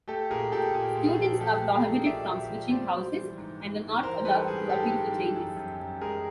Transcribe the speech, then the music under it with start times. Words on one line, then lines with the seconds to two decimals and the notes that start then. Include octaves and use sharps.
Students are prohibited from switching houses, and are not allowed to appeal for changes.
0.08 A3 G4 A4
0.30 A#2 G#4 A#4
0.52 A#2 G4 A4
0.74 A#2 G#4
0.95 A#2
1.06 G#4
1.19 F3
1.40 A3 G4 A4
1.62 A3
1.73 G#4 A#4
1.84 A#2
2.06 A#2 D5 E5
2.28 F3
2.49 F3
2.71 G3 C5 D5
2.94 G3
3.16 E3
3.38 G#2
3.60 G#2
3.81 E3
4.03 E3 A#4 C5
4.25 G3 A4 B4
4.47 G#2 G#4
4.69 G#2 G4 A4
4.92 G#2
5.14 E3
5.35 F#2
5.57 F#2
5.80 F#2
6.01 G#3 G#4 A#4